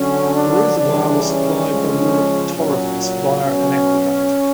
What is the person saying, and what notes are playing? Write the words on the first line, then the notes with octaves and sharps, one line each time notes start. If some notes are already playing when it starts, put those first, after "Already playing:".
The reservoir was supplied by the River Torrens via an aqueduct.
Already playing: D3 F#3 C#4
D4
C#3 E3 G3 D4
C#4
C#3 F3 G#3
A#2 F#3 C#4
B2 F#3 C#4